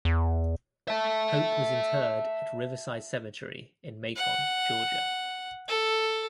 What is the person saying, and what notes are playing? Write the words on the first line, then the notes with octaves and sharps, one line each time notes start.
Hope was interred at Riverside Cemetery in Macon, Georgia.
E2
E5 A5
F#5
A4